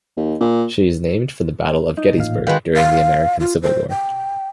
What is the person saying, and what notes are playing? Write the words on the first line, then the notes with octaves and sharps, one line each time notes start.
She is named for the Battle of Gettysburg during the American Civil War.
D#2
A#2
D#4
A1 A#2 F5
D#3 G#3 F#4 B4 F5 G5 F#6
F5
F4
C5
G5